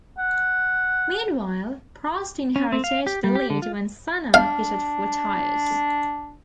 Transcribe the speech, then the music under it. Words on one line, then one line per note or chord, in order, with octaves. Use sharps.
Meanwhile, Prost inherited the lead when Senna pitted for tyres.
F#5
C#4
C4
F5
G4
G3
G4
D3
F4
D4 F5